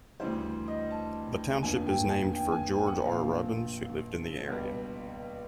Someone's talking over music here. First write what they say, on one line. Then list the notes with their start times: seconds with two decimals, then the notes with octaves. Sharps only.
The township is named for George R. Robbins, who lived in the area.
0.20 D2 C#3 E3 G3 C5
0.68 D#5
0.91 A5
1.63 F1 D#2 D3 F3 G#5
1.86 G5
2.10 G#5
2.33 G5
2.52 G#5
2.70 G5
2.87 F#5
3.05 A#1 A#2 F3 F5
4.48 C#2 B2 G3